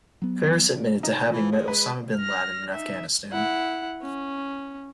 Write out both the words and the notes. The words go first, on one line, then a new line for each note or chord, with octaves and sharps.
Faris admitted to having met Osama bin Laden in Afghanistan.
F#3 B3
D#4
E3 F3
G#3
B4
F6 A#6
D#4 E5
E4 F#5
C#4